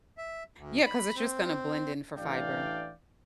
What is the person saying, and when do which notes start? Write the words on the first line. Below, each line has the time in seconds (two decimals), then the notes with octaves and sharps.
Yeah, 'cause it's just gonna blend in for fiber.
0.18 E5
0.56 D2
0.86 B5
1.16 C4
2.17 A1 E3 D4 D5 F5 G5